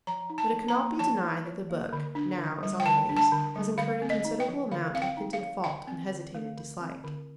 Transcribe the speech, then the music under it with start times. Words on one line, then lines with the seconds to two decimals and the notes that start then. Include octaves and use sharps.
But it cannot be denied that the book, now as always, has incurred a considerable amount of hinted fault and hesitated dislike.
0.07 F3 A#5
0.30 D#4
0.38 A5
0.53 F3
0.68 A#5
0.76 A#3
0.99 F3 A5
1.22 D#4
1.45 F3
1.70 A#3
1.93 D3
2.15 D4
2.38 D3
2.63 G3
2.80 G5
2.85 D3 A5
3.09 D4
3.17 A5
3.32 D3
3.56 G3
3.78 D3 F5
4.02 C4
4.10 D#5
4.25 D#4
4.40 G5
4.48 F3
4.71 D3 F5
4.94 C4 F5
5.02 G5
5.17 D#4
5.33 F5
5.40 F3
5.64 D3 G5
5.87 C4
6.11 D3
6.34 A3
6.57 D3
6.81 C4
7.04 D3